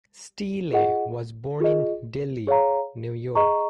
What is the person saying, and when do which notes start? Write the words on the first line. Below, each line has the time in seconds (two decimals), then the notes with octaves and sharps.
Steele was born in Delhi, New York.
0.72 F4 G#4 D#5 F#5
1.60 F4 G#4 D#5
2.47 G#4 C#5 F5 A#5
3.35 G#4 D#5 A#5 C#6